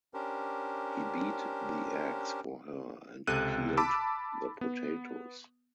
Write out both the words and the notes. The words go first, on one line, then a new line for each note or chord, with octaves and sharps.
He beat the eggs for her and peeled the potatoes.
C#4 D4 G4 A#4 C5
C#2 C3 A4 F#6 D#7
A5 B5 D6 E6
B3